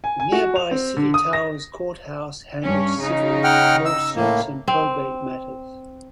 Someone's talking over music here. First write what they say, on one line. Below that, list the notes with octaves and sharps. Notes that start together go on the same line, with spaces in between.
The nearby City Towers courthouse handles civil lawsuits and probate matters.
G#5
G#5
F#4
F7
C4
D3
D#6
A#6
G2 C#4
C#3 D#4
F#5 G5 F6
E6
A2 A#3
C4